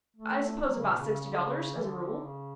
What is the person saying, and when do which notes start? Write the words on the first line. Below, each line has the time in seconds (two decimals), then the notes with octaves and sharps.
"I suppose about sixty dollars, as a rule."
0.16 A3
0.68 F#3
0.78 C#3
0.88 B2
0.99 C#3
1.09 C#3
1.20 C#3
1.30 D3
1.40 C#3
1.75 E3
1.82 D3
2.22 C#3